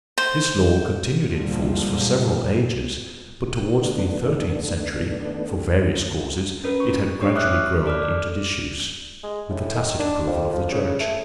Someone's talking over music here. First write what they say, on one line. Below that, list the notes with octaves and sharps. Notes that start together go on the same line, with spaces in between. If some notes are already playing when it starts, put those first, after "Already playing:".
This law continued in force for several ages, but towards the thirteenth century, for various causes, it had gradually grown into disuse, with the tacit approval of the Church.
C5
A#2 D3 F3 G3 G#3 A#3
D#3 A3 B3 D4
C#4 A#4 B4
C#6
D4 G4 C#5 C#6
E5 D6 D#6 F6 F#6
A4 D5 D6 F6
D5
G#3
A2
D#3
D4
F2
F3
C#3
A3